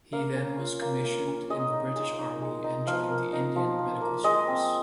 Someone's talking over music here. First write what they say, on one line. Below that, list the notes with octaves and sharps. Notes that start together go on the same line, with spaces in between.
He then was commissioned in the British Army and joined the Indian Medical Service.
A#3 F5
C#4
F4
A#3
A#3
C#4
G#3 D#5
D#4
G#3
D#4
G#3
D#4
F3 F5
A#3
D#4
F3
F3
A#3
G#3 D#5
C4